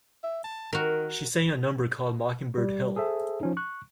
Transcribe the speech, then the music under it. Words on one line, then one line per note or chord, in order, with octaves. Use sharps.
She sang a number called "Mockingbird Hill".
E5
A5
D#3 F#4 A#4
G3
G#4 A4 C5 E5
F3 C#4 D#4
C#6 F#6